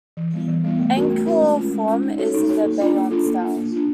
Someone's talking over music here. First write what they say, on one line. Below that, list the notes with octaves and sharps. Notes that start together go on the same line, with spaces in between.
Angkor Thom is in the Bayon style.
E3
G3 B3 E4
E3
G3 B3 E4
A3
C#4 F#4 A#4
A3
C#4 F#4 A#4
G#3
C#4 F4
G#3
C#4 F4
D#4
F#4 A4 C#5
D#4
F#4 A4 C#5
A#3
D4 F4 A4
A#3
D4 F4 A4
A#3
D4 F4
A#3
D4 F4